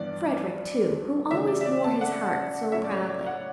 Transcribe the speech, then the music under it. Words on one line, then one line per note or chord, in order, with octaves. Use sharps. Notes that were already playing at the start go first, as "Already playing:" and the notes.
Frederick too, who always wore his heart so proudly!
Already playing: G2 E3 B3 D5
C#3 E3 A3 D4 E5
D5
E5
D5
A5
F#5
A2 F#3 C#4 E4 E5
D5
C#5
D5
F#5